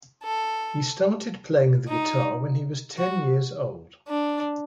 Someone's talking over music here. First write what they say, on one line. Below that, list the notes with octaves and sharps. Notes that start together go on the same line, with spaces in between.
He started playing the guitar when he was ten years old.
A4
D#4
F#4
D4